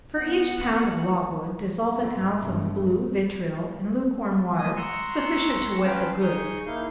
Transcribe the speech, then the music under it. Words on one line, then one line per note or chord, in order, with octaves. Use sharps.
For each pound of logwood, dissolve an ounce of blue vitriol in lukewarm water sufficient to wet the goods.
B3 F#5
G#2 F3 A3 C4
F1 G2 B2 G#3 A3
A#3 D#5 G#5 D#6
F#5 A#5 C6 C#6 E6
C#4 B4 C5 F5 G5 A5
D#4 G#4 C#6 D#6 G6
A#3 D#4 E4 F5 G6